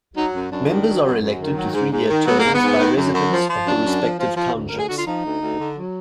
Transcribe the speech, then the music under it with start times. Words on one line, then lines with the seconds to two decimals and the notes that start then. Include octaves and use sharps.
Members are elected to three-year terms by residents of the respective townships.
0.16 F#3 D#4
0.33 F#2
0.51 F#2 D4
0.69 D#3
0.87 F#3
1.03 F#2
1.21 F#2
1.39 D#3
1.56 F#3
1.74 G#2
1.91 G#2
2.09 D#3
2.26 F#3 B3
2.40 G#2 A#3
2.54 B3
2.61 G#2
2.79 D#3
2.96 F#2
3.14 F#2
3.31 F3
3.49 F3
3.66 F#2 D4
3.84 F#2
4.02 F3
4.19 F3
4.36 F3
4.54 D2
4.69 D2 A#4
4.79 G#4
4.87 D3 F#4
4.97 F4
5.06 F3 D#4
5.24 D2
5.41 D2
5.59 D3
5.77 F#3